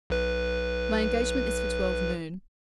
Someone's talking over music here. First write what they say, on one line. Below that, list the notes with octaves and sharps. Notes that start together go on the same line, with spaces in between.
My engagement is for twelve noon.
B1 B4